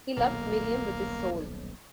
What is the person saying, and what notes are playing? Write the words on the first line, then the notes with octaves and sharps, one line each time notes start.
He loved Miriam with his soul.
D#1 B1 B2 A#3